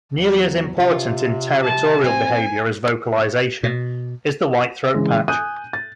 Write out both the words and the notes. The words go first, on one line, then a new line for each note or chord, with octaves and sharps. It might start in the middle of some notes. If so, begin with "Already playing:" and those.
Nearly as important in territorial behaviour as vocalization is the white throat patch.
E2 F#3
C3 C#4 F4
A5
C4 G#5
B2
C#3 E3 G#3
G#5 D#6 F#6 G6 D#7
A6